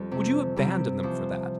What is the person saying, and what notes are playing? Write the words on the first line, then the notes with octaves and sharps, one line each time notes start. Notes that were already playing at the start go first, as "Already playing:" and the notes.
Would you abandon them for that?
Already playing: F2 G3
C3
C3 G3
E3 F3